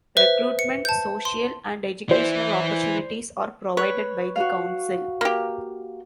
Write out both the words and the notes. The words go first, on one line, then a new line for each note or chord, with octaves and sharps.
Recruitment, social, and educational opportunities are provided by the council.
B4 C5 E5
C#7
A5 G6
C6
E3 E4 C5 D5
B4 C#5
F#4 F5
A#3 G4